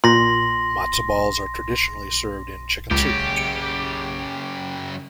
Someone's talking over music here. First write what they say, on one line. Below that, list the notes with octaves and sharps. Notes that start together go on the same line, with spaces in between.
Matzah balls are traditionally served in chicken soup.
A#2 C6 A#6
C#2 F#2 C#3 G4
C#7 D7